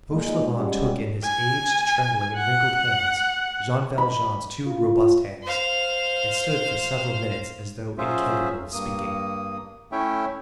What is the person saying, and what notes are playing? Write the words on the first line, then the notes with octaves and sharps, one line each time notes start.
Fauchelevent took in his aged, trembling, and wrinkled hands Jean Valjean's two robust hands, and stood for several minutes as though incapable of speaking.
A#2 G#3 A#3 D#4
G3 G#3 C#4 F#4 G4
G#5
F#5
B5
F4
C5 F5
F#3 C#4 F4 G#4 C5 E5
G2 A#3 D#6
A3 C#4 E4 C#5 E5 G5